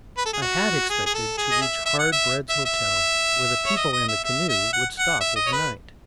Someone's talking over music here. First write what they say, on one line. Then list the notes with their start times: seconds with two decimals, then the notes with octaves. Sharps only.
I had expected to reach Hard Bread's Hotel, where the people in the canoe would stop overnight.
0.18 B4
0.26 A4
0.33 G#4
0.42 F#4
0.89 G#4
1.06 G#4
1.14 A4
1.37 G#4
1.51 D#5
1.62 E5
1.86 E5
1.99 F#5
2.12 E5
2.49 E5
2.65 E5
3.66 C#5
3.76 D#5
3.92 D#5
4.08 E5
4.24 E5
4.49 E5
4.73 F#5
4.99 F#5
5.20 E5
5.36 D#5
5.46 C#5
5.52 B4